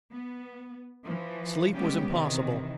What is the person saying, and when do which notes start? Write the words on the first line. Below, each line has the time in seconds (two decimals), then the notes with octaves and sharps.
Sleep was impossible.
0.12 B3
1.06 E3 F3
1.75 C#3 G3 G#3 B3 C#4 G4
2.09 C3 D#3 E3